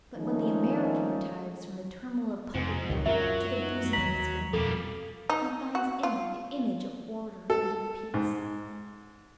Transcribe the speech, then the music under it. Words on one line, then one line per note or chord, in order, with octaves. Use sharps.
But when the American retires from the turmoil of public life to the bosom of his family, he finds in it the image of order and of peace.
D#3 F3 G#3 A3 C#4 D#4
F2 G#2 C3 F3 C4
C#2 A#2 D#3 F#3 G4
F#2 F#3 G#3 F4 A#4 E5
D#4
D#2 G#3 A#5 B6 F#7
F2 B2 G3 A#3 A4
D#4
F#4
F4
A4
G#2